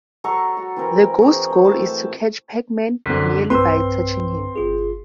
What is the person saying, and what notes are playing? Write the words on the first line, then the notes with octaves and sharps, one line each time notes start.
The Ghosts' goal is to catch Pac-Man, merely by touching him.
F#3 A4 A#5 C#6
F#4 A4
E3 C4 A#4
C4 G#4 C#5
C5
A2 A5
C2 F#2 D3 C4 B6
B1 G2 C4 B4 C6 E6
G1 F4 G#4